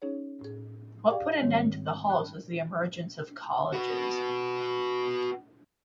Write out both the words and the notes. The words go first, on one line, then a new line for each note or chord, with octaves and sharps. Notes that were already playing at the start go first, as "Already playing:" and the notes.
What put an end to the halls was the emergence of colleges.
C#4 D#4 G#4 C#5
A2 G#4
G4 G#4 D5 F5 G5
G#2 D#3 G3 G#3 C4 C#5
G5 A5 B5 F#6
F#4 B4